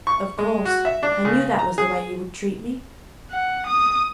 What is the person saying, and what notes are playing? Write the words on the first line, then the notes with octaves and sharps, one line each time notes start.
"Of course; I knew that was the way you would treat me."
C#6
G#3
F#4
E5
D4
C#3
A#5
G#4
F#5
D#6